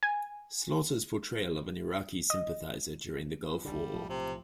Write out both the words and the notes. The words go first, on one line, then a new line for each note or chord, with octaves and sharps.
Slaughter's portrayal of an Iraqi sympathizer during the Gulf War.
G#5
D#5
E2
B1 D3 G3
B1 A2 F3
C3